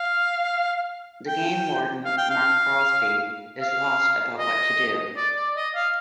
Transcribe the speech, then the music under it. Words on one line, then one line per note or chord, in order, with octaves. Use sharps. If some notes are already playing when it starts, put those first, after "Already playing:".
The game warden, Mark Crosby, is lost about what to do.
Already playing: F5
G5
F5
G5
F5
F5
D#5
D5
D5
D#5
F5